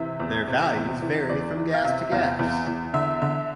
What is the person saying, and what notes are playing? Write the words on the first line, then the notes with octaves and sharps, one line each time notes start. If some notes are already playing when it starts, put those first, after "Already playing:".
Their values vary from gas to gas.
Already playing: C3 E3 E5
E2
C3
E2
E3
E2 D5
E3
F5
C3 E5
E2 F5
E2
E2
D3 E5
D3 E5